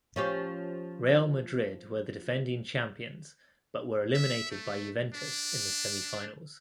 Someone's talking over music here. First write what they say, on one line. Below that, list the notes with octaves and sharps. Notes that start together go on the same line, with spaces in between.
Real Madrid were the defending champions, but were eliminated by Juventus in the semi-finals.
F3 C#4 G4
E5
A3
D4